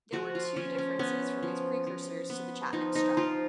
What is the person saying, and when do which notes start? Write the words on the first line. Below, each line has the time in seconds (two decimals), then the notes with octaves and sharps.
There were two differences from these precursors to the Chapman strut.
0.13 F3 F#4
0.35 F4
0.56 F3 C#4
0.78 C#4
0.99 B3 C#4
1.43 F3
1.87 F3
2.30 B3
2.73 F3 D#4
2.95 D#4
3.17 F3 F4